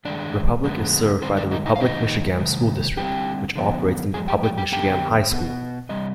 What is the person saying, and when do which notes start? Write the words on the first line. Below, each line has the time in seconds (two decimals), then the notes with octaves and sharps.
Republic is served by the Republic-Michigamme School District, which operates the Republic-Michigamme High School.
0.05 G2 D#3 G#3 D4 D5
0.63 F2 D3 G#3 B3
1.22 G2 D3 G#3 C4 C5
1.37 D4 D5
1.51 D#4 D#5
1.66 D#4 D#5
1.76 F5
1.80 F2 D#3 G#3 D#4 D#5
2.39 C3 D#3 G#3
2.97 D3 G3 C4 G4 G5
3.56 D3 F3 B3
4.14 G2 F3 G#3 G#4 G#5
4.28 G4 G5
4.43 G4 G5
4.57 G4 G5
4.72 F2 D3 G3 B3 G4 G5
5.31 B2 B3
5.89 C3 G3 D#5